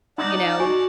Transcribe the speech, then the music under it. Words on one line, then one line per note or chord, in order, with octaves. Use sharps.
You know.
D#4 D5 F#5 A5
F#4 G#5